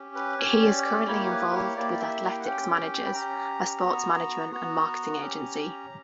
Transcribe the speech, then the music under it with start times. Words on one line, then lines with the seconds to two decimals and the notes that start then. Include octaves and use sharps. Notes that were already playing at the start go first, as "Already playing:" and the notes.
He is currently involved with Athletics Managers, a sports management and marketing agency.
Already playing: C#4 G4
0.15 B4
0.38 C#4 G4 C#5
0.62 D5
0.78 C#5
0.85 D5
1.07 A#3 E4 G4 C#5
1.31 B4
1.53 C#5
1.76 A#3 E4 G4 D5
1.93 D5
2.00 E5
2.23 A#5
2.31 G5
2.39 F#5
2.45 C#4 G4 G5
3.06 B5
3.14 C#4 G4 A#5
3.83 B3 F#4
4.52 B3 F#4 A#5
5.21 C#4 G4